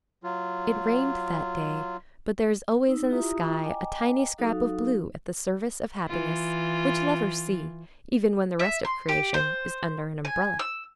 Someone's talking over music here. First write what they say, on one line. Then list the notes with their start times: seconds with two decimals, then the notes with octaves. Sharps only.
It rained that day, but there is always in the sky a tiny scrap of blue at the service of happiness, which lovers see, even when the rest of creation is under an umbrella.
0.24 F#3 F4
2.87 C4 D#4 E6
3.09 E4 F4 G4 E5 A#5 D#6
3.62 D#5 G5 G#5 A#5 D6
4.38 F#3 D#4 F#4 A4 F5 D#6
6.07 E3 F4
8.59 E5
8.85 C6
9.09 G4
9.34 C5
10.25 G#5
10.59 E6